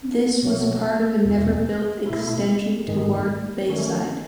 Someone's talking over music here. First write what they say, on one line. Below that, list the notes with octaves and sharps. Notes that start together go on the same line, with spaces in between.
This was part of a never-built extension toward Bayside.
B2 F#3 A3
E2 B2 A3
B2 A3 E4
G#2 D#3 G#3
D#3 A3 C#4